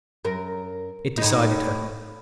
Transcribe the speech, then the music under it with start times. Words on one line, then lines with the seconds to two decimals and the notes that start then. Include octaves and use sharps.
It decided her.
0.24 F#2 A#4
1.17 A2 D#4